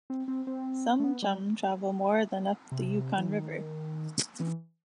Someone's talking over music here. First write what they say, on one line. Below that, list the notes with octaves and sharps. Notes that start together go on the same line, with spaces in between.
Some chum travel more than up the Yukon River.
C4
C4
C4
A3
B3
G3
C3
E3
D#3
E3